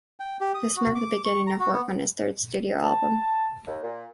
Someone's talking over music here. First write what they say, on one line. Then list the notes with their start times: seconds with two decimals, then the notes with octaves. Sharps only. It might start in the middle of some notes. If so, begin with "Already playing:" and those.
This marked the beginning of work on his third studio album.
0.20 G5
0.41 G4
0.55 D#6
0.76 F#4
0.95 D6
1.25 C#6
1.47 A#5
1.59 F#4
1.73 B3
2.83 A5
3.67 D#2
3.82 A#2